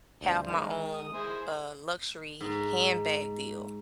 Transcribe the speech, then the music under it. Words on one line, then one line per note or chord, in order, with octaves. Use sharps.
have my own, uh, luxury handbag deal,
D2 G2 C4
D#3 G#3 A#4
D#6
E4 G#4 C5
G#2